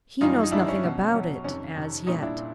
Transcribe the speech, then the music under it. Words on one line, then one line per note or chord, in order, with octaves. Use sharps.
"He knows nothing about it,--as yet."
F#2 D#3 G3 D#4 F4
D#4
F#2 D#3 G3 D4 E4
C#4
B2 F#3
B2 F#3
F2 C3 D#3 C#4
F2 C3 D#3
A#2 G3 C#4 D#4
D4 E4
A#2